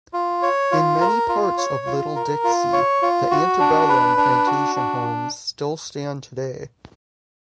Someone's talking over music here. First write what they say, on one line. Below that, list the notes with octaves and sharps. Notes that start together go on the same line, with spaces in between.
In many parts of Little Dixie, the antebellum plantation homes still stand today.
F4
C#5
F4
A#4
F4
C#5
F4
A#4
F4
C#5
F4
F#4
D4
B4
D4
F#4
D4